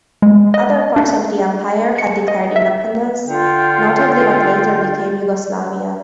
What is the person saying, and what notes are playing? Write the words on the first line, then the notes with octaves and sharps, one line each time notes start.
Other parts of the empire had declared independence, notably what later became Yugoslavia.
G#3
D#5
D4
C#7
D#5
E5
D3 F4 G5